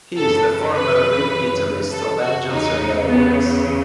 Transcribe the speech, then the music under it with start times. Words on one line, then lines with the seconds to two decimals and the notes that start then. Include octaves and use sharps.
He is the former lead guitarist of Angels and Airwaves.
0.15 F#2 C#3 E3 A4
0.74 B4
1.91 A4
2.20 F#4
2.50 E2 C#3 E3 D#4
3.08 B3